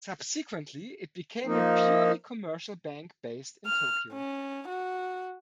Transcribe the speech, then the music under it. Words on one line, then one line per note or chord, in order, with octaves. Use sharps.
Subsequently, it became a purely commercial bank based in Tokyo.
F3 A#3 D#4
F6
C#4
F#4